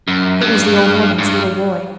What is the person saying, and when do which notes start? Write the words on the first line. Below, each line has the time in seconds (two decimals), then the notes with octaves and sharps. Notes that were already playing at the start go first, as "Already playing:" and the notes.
It was the old woman's little boy.
0.08 F#2
0.41 G2
1.18 G#2
1.25 G2